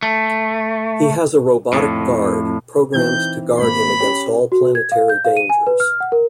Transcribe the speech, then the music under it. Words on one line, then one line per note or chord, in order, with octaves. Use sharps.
He has a robotic guard, programmed to guard him against all planetary dangers.
A3
F2 A2
E3 C4 D#4 G6
G#1 A#3 B5
C#4 G4
F#4
G#6
F5
G6
F5
D#7
G#5
B4
F6
F#5
A#4